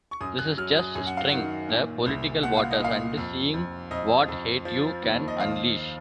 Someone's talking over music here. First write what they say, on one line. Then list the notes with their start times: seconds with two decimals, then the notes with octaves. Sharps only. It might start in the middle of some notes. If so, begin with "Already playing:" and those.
This is just stirring the political waters and seeing what hate you can unleash.
0.11 C#6
0.21 F#2 D#6
0.39 F#6
0.58 F#3 F6
0.77 D#6
0.95 F#2 G#5
1.07 F#5
1.17 F5
1.29 D#3 F#5
1.69 A#2
2.06 C2
2.43 A#2 F#5
2.57 F5
2.71 D#5
2.80 A#2 F5
3.17 F2
3.54 F2
3.91 F2 D#5
4.28 F2
4.65 F3
5.02 D#2
5.28 D#5
5.40 D#2 F5